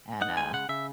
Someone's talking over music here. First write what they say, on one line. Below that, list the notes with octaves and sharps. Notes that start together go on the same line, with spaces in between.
and, uh,
D#4 F#5
G#3 G#5
C#3 F#5
C#3 E5